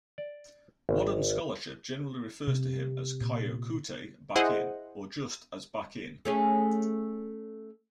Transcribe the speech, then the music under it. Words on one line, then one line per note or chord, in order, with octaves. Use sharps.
Modern scholarship generally refers to him as Kyokutei Bakin, or just as Bakin.
D5
G#1
C3
A#2
E4 G#4 C5 D#5 F#5
A3 C#4 G#4